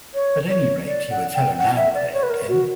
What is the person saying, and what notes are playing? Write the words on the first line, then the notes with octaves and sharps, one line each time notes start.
At any rate, he would tell her now what ailed him.
C#5
C#5
D5
F#5
G5
F#5
E5
D5
C#5
B4
A#4
F#4